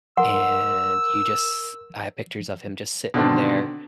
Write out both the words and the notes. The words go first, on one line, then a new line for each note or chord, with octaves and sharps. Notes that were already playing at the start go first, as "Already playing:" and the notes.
And you just I have pictures of him just sitting in there,
A#4 F#5 C6 E6
B2 D3 D#3 C4 D4